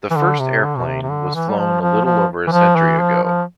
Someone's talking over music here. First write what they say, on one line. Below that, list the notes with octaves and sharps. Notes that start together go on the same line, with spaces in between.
The first airplane was flown a little over a century ago.
E3
D3
C3
D3
B2
C3
C3
D3
E3
G3
F3
F3
F3
E3
F3
E3
F3
F3